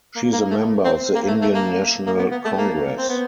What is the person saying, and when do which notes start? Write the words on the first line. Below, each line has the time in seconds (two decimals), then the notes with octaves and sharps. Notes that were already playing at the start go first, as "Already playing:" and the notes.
She is a member of the Indian National Congress.
0.16 A#3
0.32 A#3
0.50 A3
0.85 C4
1.15 A#3
1.27 A3
1.42 A3
1.54 A#3
2.06 A#3
2.18 B3
2.31 B3
2.45 A3
2.58 A#3
2.98 C4
3.09 B3